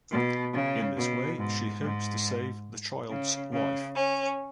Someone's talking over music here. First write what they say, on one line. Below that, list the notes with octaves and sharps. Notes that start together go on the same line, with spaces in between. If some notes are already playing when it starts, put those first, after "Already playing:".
In this way she hopes to save the child's life.
B2
C#3
B2
G#2
G#2
C#3
C#3
C#4